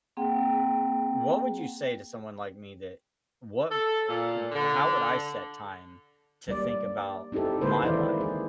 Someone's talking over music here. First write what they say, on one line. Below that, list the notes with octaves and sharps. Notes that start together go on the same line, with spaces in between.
What would you say to someone like me that what eh how would I set time to think about my life,
A#3 C4 G#4 F#5 G5
A4
A#2
D3
G3 A#3 D5
C4 D#4 E4 G4 A4
D3 G#3 A#3 B4 C5
D#3 E3 E4 D5
G#4